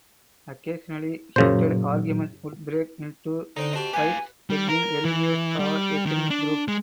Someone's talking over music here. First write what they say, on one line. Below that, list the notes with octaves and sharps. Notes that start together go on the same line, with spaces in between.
Occasionally heated arguments would break into fights between religious or ethnic groups.
F#2 A#2 C#3 F#3 C5
D3 C4 D4 D#4
C4 F#4 G4 D#5 A5
G4 B4 F5 G#5
G3
A#4
E3
G3
D#3
D4
G#3